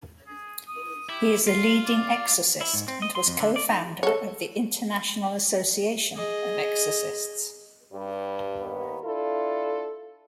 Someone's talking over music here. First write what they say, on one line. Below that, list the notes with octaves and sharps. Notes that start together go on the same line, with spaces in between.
He is a leading exorcist and was co-founder of the International Association of Exorcists.
G#4
D#6
E4 G4
F4 C6
D5
E4
G#2
C4
D#5
C6
F2
D3
D5
D#4
A4 C#5
G#4 D#5
G2 G3
D#2 D#3 B3
D4 E4 F4 A4